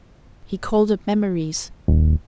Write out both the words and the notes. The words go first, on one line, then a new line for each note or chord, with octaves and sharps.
He called up memories.
D#1